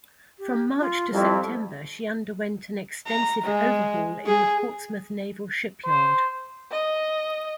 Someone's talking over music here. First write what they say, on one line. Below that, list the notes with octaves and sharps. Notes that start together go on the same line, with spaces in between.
From March to September she underwent an extensive overhaul in the Portsmouth Naval Shipyard.
G4
F4
F2 G3 E4
A#5
G#3
G#4
C5
D#5